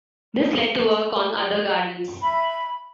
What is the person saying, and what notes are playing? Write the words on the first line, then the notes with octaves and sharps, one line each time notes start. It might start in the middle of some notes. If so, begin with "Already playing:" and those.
This led to work on other gardens.
E5 B5